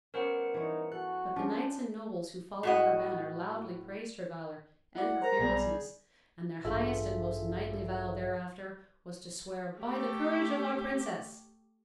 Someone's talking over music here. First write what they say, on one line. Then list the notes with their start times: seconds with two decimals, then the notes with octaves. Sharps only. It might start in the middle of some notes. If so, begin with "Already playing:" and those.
But the knights and nobles who followed her banner loudly praised her valor and her fearlessness, and their highest and most knightly vow thereafter was to swear "By the courage of our Princess."
0.14 G3 B3 C#4 A#4 C5 F#5
0.54 E3 D#4 C#5
0.92 F#4 A4 F#6
1.36 F3 C#4 D4 F4
2.63 A2 F#4 D#5
4.95 E4 F#4 D5 F#5
5.22 A#4 C5 A#5
5.39 B1 B2 G3 G#4
6.65 A1 G2 F4 G#4 A4 E5
9.79 A3 G4